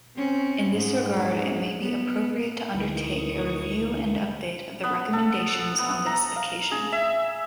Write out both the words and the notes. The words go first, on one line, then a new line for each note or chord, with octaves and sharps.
In this regard, it may be appropriate to undertake a review and update of the recommendations on this occasion.
C4 C#4
G#2
B3
D2 D#3 E3 C#6 D#6
B3
A4
B3
A#5
F5
G#4
E5